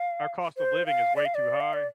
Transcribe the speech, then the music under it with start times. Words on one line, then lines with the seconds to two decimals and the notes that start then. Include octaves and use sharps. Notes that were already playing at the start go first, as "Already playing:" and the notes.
our cost of living is way too high,
Already playing: F5
0.57 C5
0.86 F5
1.16 D5
1.26 F5
1.35 D5
1.60 F5
1.73 D5